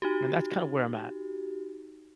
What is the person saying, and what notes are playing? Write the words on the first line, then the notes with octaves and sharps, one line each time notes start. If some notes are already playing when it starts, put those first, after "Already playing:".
and that's kind of where I'm at.
D#4 F#4 G4